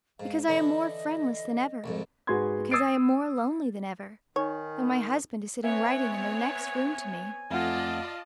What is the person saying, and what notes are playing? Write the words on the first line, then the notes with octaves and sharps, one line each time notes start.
Because I am more friendless than ever; because I am more lonely than ever, though my husband is sitting writing in the next room to me.
G#2 F5
D3 E3 E4 D#5
C2 F2 G#2
G#2 F#4 G#4 B4 C6 G#6
D#6 E6 G#6 A6 C7 D7
D#3 D#4 C#5 G#5
B3 C4 C#5 E5 G#5
F2 A3 F4 D5 D#5 F#5 A5